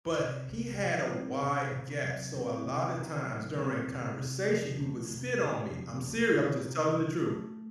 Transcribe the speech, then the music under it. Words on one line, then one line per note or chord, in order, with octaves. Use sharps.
But he had a wide gap, so a lotta times during conversation, he would spit on me. I'm seriou I'm just telling the truth.
C3
C3
F3
C4
C3
C3
F#3
C4
C3
C3
F#3
C4
C3
C3
F3
A3
C3
C3
F3
A3
C3
C3
F#3
A3